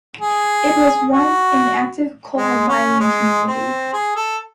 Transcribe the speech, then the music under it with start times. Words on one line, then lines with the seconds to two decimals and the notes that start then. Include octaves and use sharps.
It was once an active coal mining community.
0.19 G#4
1.12 F#4
2.37 G#3
2.68 C#4
3.00 G#3
3.47 C4
3.93 G#4
4.16 A4